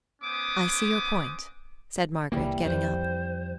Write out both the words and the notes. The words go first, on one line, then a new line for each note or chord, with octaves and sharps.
"I see your point," said Margaret, getting up.
B3 C#4 C5 D6 D#6
C2 D#3 E3 G3 A#3
F2 G3 C5